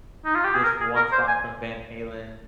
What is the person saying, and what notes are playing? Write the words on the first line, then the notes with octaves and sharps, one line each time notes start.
this one song from Van Halen,
D#4
F4
G4
G#4
A#4
G#4
A#4
C5
G#5